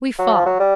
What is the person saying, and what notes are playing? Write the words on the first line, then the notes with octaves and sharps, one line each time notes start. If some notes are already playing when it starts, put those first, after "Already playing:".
We fall.
F#3
F3
F#3
G3